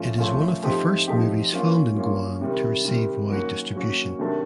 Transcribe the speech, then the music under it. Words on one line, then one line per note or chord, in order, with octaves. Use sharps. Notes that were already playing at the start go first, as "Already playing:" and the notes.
It is one of the first movies filmed in Guam to receive wide distribution.
Already playing: A2 F3 A3 C#4 F4
A2 F3 A3 C#4 F4
F3 A3 C4 D#4 G4
F3 A3 C4 D#4 G4
F#3 A#3 C#4 F4
F#3 A#3 C#4 F4
C3 D#3 G3
C3 D#3 G3
D#3 F#3 A#3 C#4 F#4
D#3 F#3 A#3 C#4 F#4
C3 D#3 F#3 A3 D4